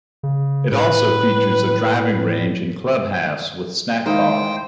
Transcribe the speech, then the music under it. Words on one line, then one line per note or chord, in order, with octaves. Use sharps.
It also features a driving range and clubhouse with snack bar.
C#3
A2 B4
D#3 G#3 D#4 E4 A#4 C5 F5 G5